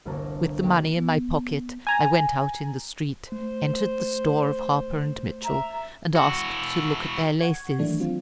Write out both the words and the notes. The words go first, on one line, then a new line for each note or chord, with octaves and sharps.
With the money in my pocket I went out in the street, entered the store of Harper & Mitchell, and asked to look at their laces.
G1 C2 A#3 F#4 A5 A#5
D2 A#3 D4 F#4 G5
B3
G#5 A#5
A3 C5
E5 A#5
E4 F#4
F#5 C#6 G#6
D#3 E3 F#3 A3 D4
F#3 C4 F4